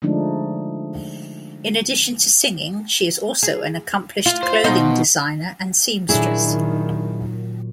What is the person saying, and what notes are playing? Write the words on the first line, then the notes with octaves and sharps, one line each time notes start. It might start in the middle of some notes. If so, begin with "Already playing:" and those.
In addition to singing, she is also an accomplished clothing designer and seamstress.
D3 F3 G#3 A3 D4 D#4
G#4
F4
C5
B2 D#4 C5
A#2 D#3 F#3 D4 E4 G#4